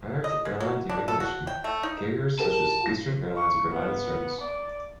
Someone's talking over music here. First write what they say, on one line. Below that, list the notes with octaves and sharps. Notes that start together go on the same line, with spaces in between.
Prior to airline deregulation, carriers such as Eastern Airlines provided service.
D#5
G#3
F#3
D4
A4
F#4
G5
A3
D#4
G4 G#4 A#4 A5
A#6
C#6
B3
D5